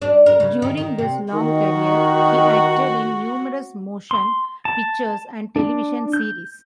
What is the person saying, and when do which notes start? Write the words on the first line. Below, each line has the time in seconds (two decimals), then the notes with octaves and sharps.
During his long career, he acted in numerous motion pictures and television series.
0.02 D4
0.26 A#4
0.40 C#3
0.62 D#3
0.77 D#3
0.98 C3
1.33 D#3 F#4
4.11 C6
4.65 A5
5.56 D4
6.13 G6